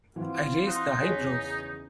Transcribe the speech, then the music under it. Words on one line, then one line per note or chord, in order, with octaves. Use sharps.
I raised the eyebrows.
E3 C4 F4 F#4
D#4 C6 D#6 F#6
E2 C#3 G#4 C#5 B6